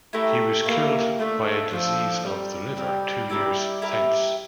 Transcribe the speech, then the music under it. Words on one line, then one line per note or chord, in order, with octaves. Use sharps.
He was killed by a disease of the liver two years thence.
A3 E4 G4 A#4
A#3 E4 G4 A#4
A3 D4 F4 A4
F3 D4 F4 A4
G3 C4 G4 A#4
C4 G4 A#4
E4 G4 A#4 D5
E4 G4 A#4 D5